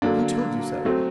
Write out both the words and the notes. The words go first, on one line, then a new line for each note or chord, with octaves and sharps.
"Who told you so?"
D3 F#3 A#3 D4
F#3 A3 C4